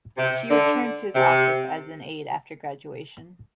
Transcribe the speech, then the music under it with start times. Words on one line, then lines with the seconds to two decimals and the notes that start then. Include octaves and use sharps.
She returned to his office as an aide after graduation.
0.17 C3
0.49 D3
1.15 C3